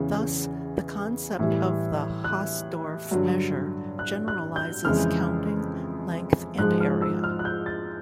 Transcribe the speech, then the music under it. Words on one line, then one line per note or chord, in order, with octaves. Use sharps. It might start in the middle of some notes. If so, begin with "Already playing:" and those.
Thus, the concept of the Hausdorff measure generalizes counting, length, and area.
Already playing: E2 C#3 E3
A2 E3 G3
F#6
G2 D3 F#3
F#6
F#6
G6
F2 C#3 E3 G#3 F6
G#2 F3 G#3 F#6
F6
E6
F6
F#6
G6
A6